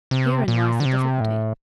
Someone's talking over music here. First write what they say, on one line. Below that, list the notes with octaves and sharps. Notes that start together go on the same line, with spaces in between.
Herein lies the difficulty.
C3
A#2
D3
C3
A2